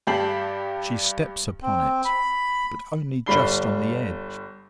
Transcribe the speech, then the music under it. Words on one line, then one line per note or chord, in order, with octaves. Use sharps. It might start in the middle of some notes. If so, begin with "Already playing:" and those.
She steps upon it, but only just on the edge.
G2 G4 A5 C7 F#7
C4
B5
G1 G3 B5 C7 G7